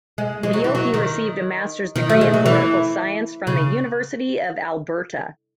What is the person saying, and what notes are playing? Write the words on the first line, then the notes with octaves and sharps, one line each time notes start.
Biocchi received a master's degree in political science from the University of Alberta.
G#3
G#3
F#3
E3
F#3
D#3
D#3
A3
G#3
F#3
E3
C#3